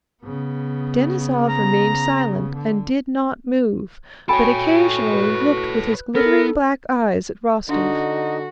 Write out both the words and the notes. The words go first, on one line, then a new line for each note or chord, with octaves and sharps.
Denisov remained silent and did not move, but occasionally looked with his glittering black eyes at Rostov.
C#3 B3
A#5
D3
F#4 A4 C#5 G5 G#5 B5 D7
B4
B3 A4 A#4
D3 D4 D#4 F#4 D#5